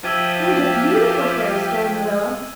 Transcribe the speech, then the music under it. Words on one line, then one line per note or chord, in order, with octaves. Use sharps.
It was a beautiful fairy story, Marilla.
F3 G4 E5 E6 G#6 D#7